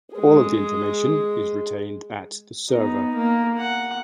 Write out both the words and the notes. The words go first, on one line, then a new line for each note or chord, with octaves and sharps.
All of the information is retained at the server.
G#3 G#4
B3 D#4
A#3
F#5